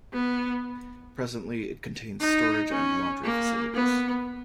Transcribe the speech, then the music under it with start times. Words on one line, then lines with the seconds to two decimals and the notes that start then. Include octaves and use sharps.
Presently, it contains storage and laundry facilities.
0.13 B3
2.20 D#4
2.71 C#4
3.24 A#3
3.74 B3